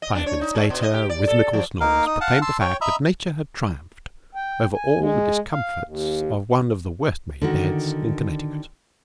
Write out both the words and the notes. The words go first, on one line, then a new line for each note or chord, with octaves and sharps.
Five minutes later rhythmical snores proclaimed the fact that nature had triumphed over all the discomforts of one of the worst-made beds in Connecticut.
D#5
D4
C#5
D#4
G#3
B2
D#5
G4
D5
A4
F3
A#3 D#4 A#4 F5
D#4 D#6
F5 F#5 A5
A5 C6 E6
C#5 G5
D#5 E5 A#5 B5 E6
G5
G#5
G#3
F5
D#2
D3 D#3 F#4